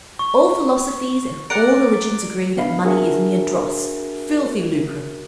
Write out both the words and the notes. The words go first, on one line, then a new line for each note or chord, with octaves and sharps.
All philosophies and all religions agree that money is mere dross, filthy lucre.
C#6
A#4 D5 F#5 D7
B3 D4 F5 B5
D4 F#4 G#4 A#4 E5 F#5